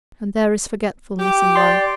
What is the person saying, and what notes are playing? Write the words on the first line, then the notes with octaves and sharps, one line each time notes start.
And there is forgetfulness in life.
G4
D5 C6